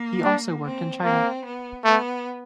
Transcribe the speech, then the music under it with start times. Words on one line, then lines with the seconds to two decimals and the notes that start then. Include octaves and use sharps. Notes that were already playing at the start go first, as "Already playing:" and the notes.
He also worked in China.
Already playing: A#3
0.23 D4
0.64 C4
1.04 A#3 C4
1.44 B3
1.85 A3 B3